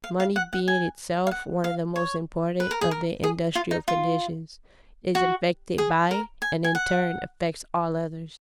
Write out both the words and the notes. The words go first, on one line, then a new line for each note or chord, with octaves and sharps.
Money being itself one of the most important of the industrial conditions, is affected by and in turn affects all others.
F5
F5
F#5
F#5
G#5
F5
F#5
F5
C#5
B4
A#4
G#4
A#4
G#4
F4
D#4
F4
F#4
G#4
A#4
G#5
G#5
F#5